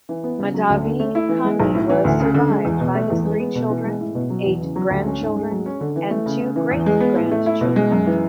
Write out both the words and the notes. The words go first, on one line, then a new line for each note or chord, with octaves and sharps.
Mahdavi Kani was survived by his three children, eight grandchildren and two great-grandchildren.
E3
B3
C#3
F#3
D2
D3
A3
E4
E3
G#3
B1
A2
E3
D2
C#3
D3
G#3
E2
B2
A3
E2
G#3
B3
B2
E3
G#3
A2
B2
F#3
E2
C#3
F#3
D2
C#4
G#2
G#3
F#3
C#4
D3
E3
A3
C#3
C#3
E3
E2
G#3
B3
A2
A3
E4
B2
G#3
F#2
E3